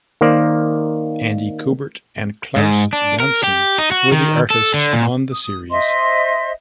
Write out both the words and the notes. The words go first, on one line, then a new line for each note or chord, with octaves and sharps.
Andy Kubert and Klaus Janson were the artists on the series.
D#3 A#3 C5 D5
G#2
D4
A#4
G4
D#4
F#4
D#3
A4
D3
A#2
D#6
C5 D#5 E5 C6